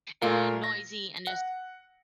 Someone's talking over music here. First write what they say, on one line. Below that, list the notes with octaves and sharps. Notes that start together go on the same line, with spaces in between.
and noisy, and there's
A#2 A3 F4 A#4
A#6
F#5